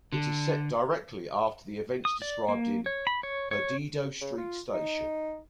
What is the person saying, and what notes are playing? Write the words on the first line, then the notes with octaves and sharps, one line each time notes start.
It is set directly after the events described in "Perdido Street Station".
D3
D#6
D5
A#3
C#5
B5
C#5
C#5
C#3
F4
D#4